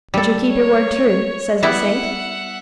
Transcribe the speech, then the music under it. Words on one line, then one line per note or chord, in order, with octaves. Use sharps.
"But you'll keep your word true," says the saint.
G3 A4
C#5
G3 B3 E4 E5 F#5